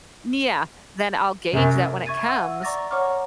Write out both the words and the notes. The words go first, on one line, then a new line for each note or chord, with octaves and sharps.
yeah, then I'll gauge that when it comes
F#2 C3
E5 C#6 G#6 A6 D#7
F#5 E6
D5 A#5 C#6 D6 A6 A#6
C#5 F#5 A#5 C#6 D6 F6